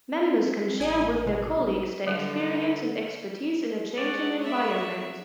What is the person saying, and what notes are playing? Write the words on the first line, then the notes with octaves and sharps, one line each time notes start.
Members can share with their colleagues their experience and expertise in a changing environment.
C4
A1 G#5 D#6
B2 G#3
F#3
D3 F#3 G3
G#3 C#4 G#4 D5 F#5
C#5 E5